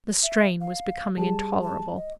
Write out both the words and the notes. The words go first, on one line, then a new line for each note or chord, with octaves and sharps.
The strain was becoming intolerable.
E5
F5
G3 G4 G#4 A5
A5
D#5